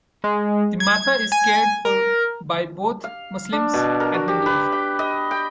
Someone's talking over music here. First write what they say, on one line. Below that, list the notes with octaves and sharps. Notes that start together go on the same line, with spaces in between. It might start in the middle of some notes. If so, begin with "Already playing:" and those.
The matha is cared for by both Muslims and Hindus.
G#3
G#6
G#5
A#4
F5
D4
B2
A#4
F#4
G4
B4
G5
D#5
G5